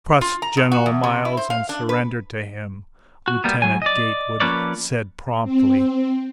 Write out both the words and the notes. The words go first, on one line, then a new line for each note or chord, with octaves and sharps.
"Trust General Miles and surrender to him," Lieutenant Gatewood said promptly.
F4
A#5
G#2
F#4
E2
C3
E4
C5
F5
D4
B4
F#4
G3 A#3 B3
A2 F#3 G#5
D5 D#5
F3 A#3 C#4 B4 C#5 D5
C4